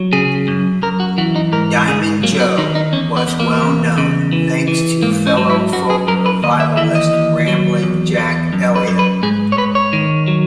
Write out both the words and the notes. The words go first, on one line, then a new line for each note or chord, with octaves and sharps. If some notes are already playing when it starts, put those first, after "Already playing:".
"Diamond Joe" was well-known thanks to fellow folk revivalist Ramblin' Jack Elliott.
Already playing: F#3
C#3 G#4
F#2
F#2 A#4
F#4
E3 F#4
D#4
G#2 A#4
G#2 G#4
F#3 A#3
B3
D#3 D#4
D#4
E2 C#4
B3
E2
A#3
E2
C#3
E3
E3
G#2 A#3
C#4
F#3
E4
F#2 F#4
G#4
F#2 A#4
B4
D#2 D#5
E5
E3 E5
D#5
D#2
F#3
E2
E2
F#2
B4
F#2
B4
G#2 G#4
C#5
G#2 B4
C#5
D#3
F#3